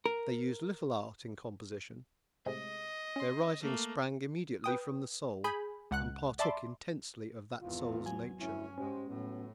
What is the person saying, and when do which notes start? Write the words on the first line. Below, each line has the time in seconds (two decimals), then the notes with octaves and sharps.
They used little art in composition. Their writings sprang immediately from the soul-and partook intensely of that soul's nature.
0.06 A#4
2.46 A2 C3 G#3 D#5
3.16 C#4 C6
3.62 A3 A#3
4.64 B4 G5 D#6
5.44 G#4 G#5 B5 G6
5.91 C#2 F#5 F#6
6.39 D5 E5 A5 B5 C6 D6
7.61 G#1 E2 E3 F4
8.06 F#3 G#5
8.39 D2 G2 C#4 E4
8.78 G#2 G#3 C#4 G4 C5
9.08 A1 A2 F#3 B3